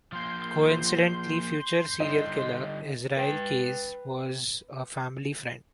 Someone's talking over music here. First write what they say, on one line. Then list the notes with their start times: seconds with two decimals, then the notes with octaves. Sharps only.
Coincidently, future serial killer Israel Keyes was a family friend.
0.12 F3 A#3 C6 G6
2.00 D3 G3 D#4
3.17 B4 G5